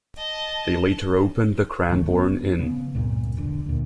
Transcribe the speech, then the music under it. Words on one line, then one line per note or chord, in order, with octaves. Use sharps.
They later opened the Cranbourne Inn.
D#5 A5
D1 G1 D#3 A3
B3
C#3 B3
C#2 G2 A#2
E1 D3
D2 A#2